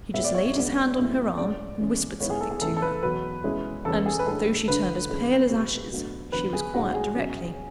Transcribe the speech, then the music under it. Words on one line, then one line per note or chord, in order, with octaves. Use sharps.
He just laid his hand on her arm, and whispered something to her; and, though she turned as pale as ashes, she was quiet directly.
A2 G#3 B3 E5
D5
C#5
C#5
C#2 B2 G#3 B3 D4 D5
G#2 F#3 A3 E4
A2 G#3 C#4 D5
C#3 E3 G#3 C#4
G#2 G#3 B3 E4 C#5
G#4
A4
G#4
E2 C#3 E3 A3 A4
A4
B4
E2 B2 F#3 B4
B2 G#3 C#4 E4
E2 C#3 G#3 C#4 A4
G#4
B4
A2 G#3 D4 A4
D2 D3 A3 D4 B4
G#2 E3 G#3 C#4
B2 G#3 B3
B2 F#3 A3 D4
E2 D3 F#3 B3 B4
G#4
A2 G#3 D4 F#4
G#4
B2 F#3 C#4